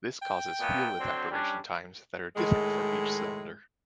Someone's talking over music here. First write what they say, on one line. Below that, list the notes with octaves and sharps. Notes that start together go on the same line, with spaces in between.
This causes fuel evaporation times that are different for each cylinder.
G5
A#2 A3 B3
D3 F#3 C4
G3 C#4 D4
A2 D#3 G#3